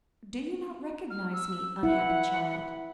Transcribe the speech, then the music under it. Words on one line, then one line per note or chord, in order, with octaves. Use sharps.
"Do you not recognize me, unhappy child?"
F6
E6
E4 F#5